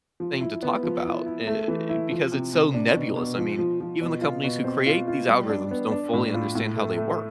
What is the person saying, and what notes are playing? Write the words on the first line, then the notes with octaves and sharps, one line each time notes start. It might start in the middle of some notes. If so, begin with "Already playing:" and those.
thing to talk about. Eh, because it's so nebulous. I mean, even the companies who create these algorithms don't fully understand how they work.
F3
E4
B3
F3
E4
E4
A3
E3
E4
F3
C3
C3
D4
B2
B2
F3
F3
F3
B2
F4
B2
C4
F4
F4
G3
D4
B3
D4
A2
F4
A2
A3
A3